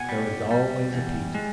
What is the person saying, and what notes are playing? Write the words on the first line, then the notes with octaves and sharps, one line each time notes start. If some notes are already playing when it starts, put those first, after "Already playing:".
There is always a Pete.
Already playing: B2 F#5 G#5
G3
G3
E2
G#3